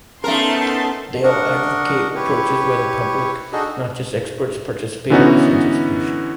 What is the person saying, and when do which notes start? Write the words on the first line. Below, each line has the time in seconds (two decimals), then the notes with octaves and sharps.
They all advocate approaches where the public, not just experts, participate in this "anticipation".
0.24 A3 B3 C#4 D#4 A#4 A5 C6
1.24 D4 A#4 D#5 F#5 C#6
2.15 E4 G4 B4 C#5 C#6
3.53 D4 D#4 F#4 G#4 A4 D#5
5.10 D3 E3 B3 C#4 D#4 F#4